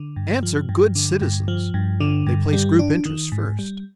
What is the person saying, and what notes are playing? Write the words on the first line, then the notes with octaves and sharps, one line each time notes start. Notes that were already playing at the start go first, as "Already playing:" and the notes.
Ants are good citizens: they place group interests first.
Already playing: D3
G2
F3
G2
D3
G2
F3
G2
D3
G2
G3
D4
D#3
G#2
G3